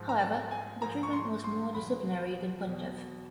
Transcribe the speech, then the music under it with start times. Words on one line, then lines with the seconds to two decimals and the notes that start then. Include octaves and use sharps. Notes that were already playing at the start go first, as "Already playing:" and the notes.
However, the treatment was more disciplinary than punitive.
Already playing: G#2 F3
0.09 A#5
0.20 A5
0.51 G#5
0.82 G#2 F3 A#5
1.03 C#6
1.13 C6
1.44 C6
1.74 E2 B2 F#3 B5
2.67 E2 B2 F#3